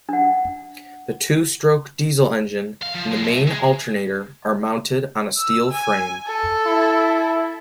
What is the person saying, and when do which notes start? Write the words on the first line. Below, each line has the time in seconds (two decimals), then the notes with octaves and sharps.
The two-stroke diesel engine and the main alternator are mounted on a steel frame.
0.09 D4 F#5
2.83 F5
2.95 F3
3.12 G#3 B3
3.24 A2 E5
3.47 G#3
5.37 E6
5.71 G#5
6.27 A4
6.66 E4